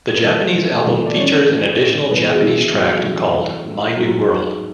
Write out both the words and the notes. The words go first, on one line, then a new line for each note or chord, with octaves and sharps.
The Japanese album features an additional Japanese track called ""My New World"".
B4
E3 A3 A4
E3
A3 A4
E3
D5
E3 C#4 C#5
A2
A2
E3 B3 B4
G#4
F#4
E3 E4
A2 F#3 F#4
F#4
E3 E4
E3
A2
G#2 F#3 F#4
G#2